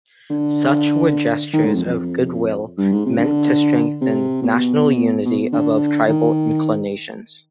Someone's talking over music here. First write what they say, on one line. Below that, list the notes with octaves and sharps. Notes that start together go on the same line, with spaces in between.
Such were gestures of goodwill meant to strengthen national unity above tribal inclinations.
D3
D#3
G#2
F2
F2
G2
G#2
C3
D3
C3
B2
B2
D3
D#3